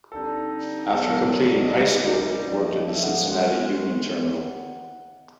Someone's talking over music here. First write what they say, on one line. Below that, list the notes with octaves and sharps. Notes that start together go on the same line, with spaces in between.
After completing high school he worked in the Cincinnati Union Terminal.
D3 G3 C4 D#4 A4
F2 D3 F#3 B3 A4
A#4
C#5
D5
D#5
C#2 B2 G3 A#3 D#4 D5
D#5
D5
D#5
D5
A2 F3 A#3 D5
D5
D#5
E5
F#5
F5
D#3 G#3 C#4 F#5